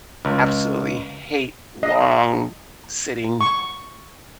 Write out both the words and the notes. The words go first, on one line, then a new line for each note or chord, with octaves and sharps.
absolutely hate long, sitting
C#2
D#5
C#6